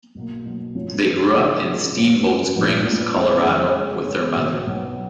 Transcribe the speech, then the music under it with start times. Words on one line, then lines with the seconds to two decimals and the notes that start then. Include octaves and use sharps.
They grew up in Steamboat Springs, Colorado with their mother.
0.15 B1 B2 A#3
0.45 B1 B2 A#3
0.75 F#2 C#3 F3 G#3 C#4
1.06 F#2 C#3 F3 G#3 C#4
1.35 C#3 F3 G#3 D#4 A#4
1.65 C#3 F3 G#3 D#4 A#4
1.96 F#2 C#3 F3 B3 F#4
2.25 F#2 C#3 F3 B3 F#4
2.56 A#1 A#2 F3 B3
2.86 A#1 A#2 F3 B3
3.16 F2 C#3 G#3 C#4
3.45 F2 C#3 G#3 C#4
3.76 C#3 G#3 C#4
4.06 C#3 G#3 C#4
4.36 B1 B2 F#3 B3
4.66 B1 B2 F#3 B3